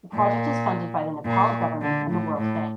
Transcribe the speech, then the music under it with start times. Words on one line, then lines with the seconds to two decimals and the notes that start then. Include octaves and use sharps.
The project is funded by the Nepal Government and the World Bank.
0.14 A#2
1.25 A#2
1.82 D3
2.10 A2
2.38 A2